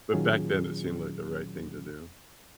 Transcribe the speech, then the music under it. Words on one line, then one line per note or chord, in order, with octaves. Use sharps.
but back then, it seemed like the right thing to do.
A#2 D#3 F#3 C#4 F4 G#4